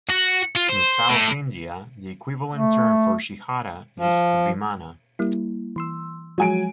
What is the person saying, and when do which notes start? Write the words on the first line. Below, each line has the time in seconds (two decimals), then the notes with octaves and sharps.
In South India, the equivalent term for "shikhara" is "vimana".
0.10 F#4
0.55 F4
0.69 C5
1.09 A2
2.55 A3
4.00 F3
5.19 G3 A#3 E4
5.76 E3 C6 E6
6.38 F3 F#3 G#3 G#5 D7